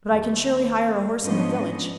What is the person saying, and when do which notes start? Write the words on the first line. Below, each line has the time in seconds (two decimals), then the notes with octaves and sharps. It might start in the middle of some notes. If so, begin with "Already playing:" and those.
"But I can surely hire a horse in the village?"
0.11 D#2
1.24 G#2 F3 B3 C#4 D4 D#5